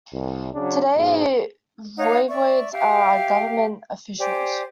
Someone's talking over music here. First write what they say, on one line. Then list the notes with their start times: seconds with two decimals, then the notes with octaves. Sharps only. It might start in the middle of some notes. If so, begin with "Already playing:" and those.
Today voivodes are government officials.
0.11 C2
0.52 C#3 F#3 D4
0.94 B1 G#2
1.98 D#4 C#5 F5 F#5
2.28 D5 E5 C#6
2.72 G4 E5 F5 G5
4.19 G4 C5 D5 G#5